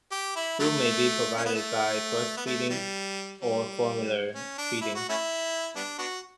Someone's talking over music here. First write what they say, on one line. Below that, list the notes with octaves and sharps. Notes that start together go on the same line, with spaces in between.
Food may be provided by breastfeeding or formula feeding.
G4
E4
D3 F#3 A3
C#4
B3
A3
B3
A3
E3 G3
G3
C#4
D4
E4
F#4
A3 C#4 E4
G3 B3 D4
B3 D4 F#4